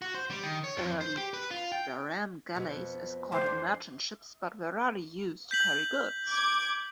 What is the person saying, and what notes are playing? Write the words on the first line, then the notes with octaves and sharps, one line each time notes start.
Early bireme galleys escorted merchant ships but were rarely used to carry goods.
F#4
C5
G3
D#3
C#5
F2
C5
G4
B4
F4
G5
F2 B2
D2 F3 G4 C5
F2 D4
G6 B6 F#7
D6 G#6